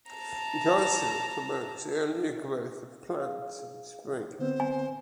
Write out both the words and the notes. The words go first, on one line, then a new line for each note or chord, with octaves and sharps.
It also promotes earlier growth of plants in Spring.
A5 A#5
G#4 F5
D3 B3 C4 C5
G#5